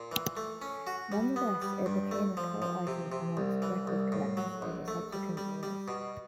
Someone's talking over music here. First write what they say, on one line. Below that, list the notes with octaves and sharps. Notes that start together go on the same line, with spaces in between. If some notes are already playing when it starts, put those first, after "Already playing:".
Nonetheless it became a cult item amongst record collectors over subsequent years.
Already playing: A#2
E3
A3
C#4
F#4
G3
B3
G3
G2
A3
F3
F3
C3
C3
C2
E3
C2
A2
F#3
A#1
A3
G3
G3
G3
B2